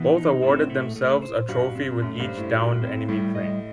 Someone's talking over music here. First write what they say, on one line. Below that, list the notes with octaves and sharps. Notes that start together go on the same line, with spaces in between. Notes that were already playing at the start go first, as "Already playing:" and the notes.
Both awarded themselves a trophy with each downed enemy plane.
Already playing: B2 E3
D#4
A2 C4
A3
A3
C5
G2 F#4
C4
F#2 A3
G2
C5
A2
F#4
C4
A2 G3
D#5